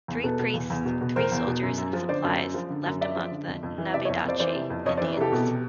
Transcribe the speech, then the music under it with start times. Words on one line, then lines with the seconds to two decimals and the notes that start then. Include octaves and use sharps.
Three priests, three soldiers and supplies left among the Nabedache Indians.
0.08 E2
0.24 B2 A4 B4
0.39 B2
0.54 E2
0.70 E2
0.85 B2
1.01 B2
1.16 E2 A#4 C5
1.32 E2
1.47 B2
1.63 F#2
1.78 F#2
1.93 F3
2.09 D3 C5 D5
2.24 F#2
2.40 F#2
2.54 F3
2.70 D3
2.86 F#2
3.01 F#2 D5 E5
3.16 F3
3.31 D3
3.47 F2
3.63 F2
3.78 E3
3.93 C3 D5 E5
4.05 C#5 D#5
4.09 F2
4.25 F2 C5 D5
4.39 E3 C5 D5
4.55 C3
4.70 F2
4.86 F2 C#5 D#5
4.97 C5 D5
5.02 E3
5.17 C3 G4 A4
5.32 B2